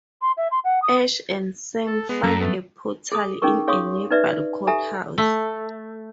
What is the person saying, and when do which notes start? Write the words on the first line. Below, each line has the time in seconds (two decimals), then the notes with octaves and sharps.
Ash and Sam find a portal in a nearby courthouse.
0.22 C6
0.37 E5
0.51 C6
0.64 F#5
0.82 D#6
1.87 A4
2.09 G#3 B3
2.24 F#2 A4 A#5
2.41 A3 B3 A4
3.12 G#4 A4 D#6
3.42 C#4 D#4 G#4 A#4 C#6
3.67 G#4 C#5 F5 C6 C#6 D#6
4.11 D#4 B4 D5 E5
4.67 G4 A4 E5 G#5 A#5
5.18 A3